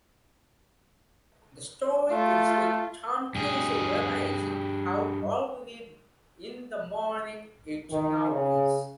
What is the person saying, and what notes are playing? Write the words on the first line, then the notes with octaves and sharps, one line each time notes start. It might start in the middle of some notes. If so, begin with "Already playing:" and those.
The story ends with Tompkins realizing how early in the morning it now is.
A3 F4
G2 G#4
D#3
C#3